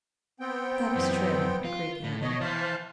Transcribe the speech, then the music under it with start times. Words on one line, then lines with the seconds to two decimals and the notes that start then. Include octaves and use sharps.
"That is true," agreed the other.
0.40 B3 C4 G5
0.96 F#2 E3
1.65 F4
2.04 A2
2.22 B2 C#5 D#5
2.40 E3 C5 F5 A5